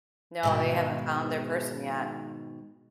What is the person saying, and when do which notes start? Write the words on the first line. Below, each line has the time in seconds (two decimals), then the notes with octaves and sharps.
No, they haven't found their person yet.
0.43 G#2 B2 D#3